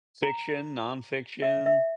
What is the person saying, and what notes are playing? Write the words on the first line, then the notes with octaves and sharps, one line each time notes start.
Fiction, nonfiction?
A#5
E5
E5